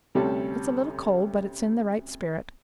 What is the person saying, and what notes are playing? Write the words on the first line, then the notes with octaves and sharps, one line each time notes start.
It's a little cold, but it's in the right spirit.
D2 C3 G3 C#4 A4 A5